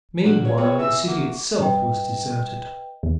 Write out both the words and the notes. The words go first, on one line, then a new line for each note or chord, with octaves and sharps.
Meanwhile, the city itself was deserted.
A#2 D4 F#4
G2 C#5
B3 C4 F4 G#4 C#5
E3 E5 E6
A#3 F#4 D6
G2 B4 D#5 G5
E2